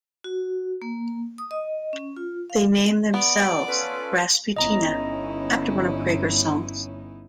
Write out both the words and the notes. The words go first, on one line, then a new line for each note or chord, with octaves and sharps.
They named themselves "Rasputina", after one of Creager's songs.
F#4
A#3
D#6
D#5
C#4
F4
F5
B3 D5
C#4 F4 A4 B4
G1 B3 C#4 D#4 E4 D#5 A#5